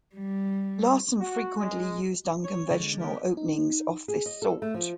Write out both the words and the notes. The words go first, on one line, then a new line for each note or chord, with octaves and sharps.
Larsen frequently used unconventional openings of this sort.
G3
F#4
G#3
C#5
D3 G#3
B3 G4 A#4
D#4
G#4
D#5
A4
A3
F3